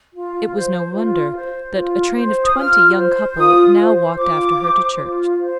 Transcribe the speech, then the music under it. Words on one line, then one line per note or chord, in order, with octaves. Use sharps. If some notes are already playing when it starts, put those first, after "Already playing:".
It was no wonder that a train of twenty young couple now walked after her to church.
F4
C5
F4
C5
F4
C5
D#6
F4 F6
C5
F4 D#6
C5
F4 D6
C5
F4
C5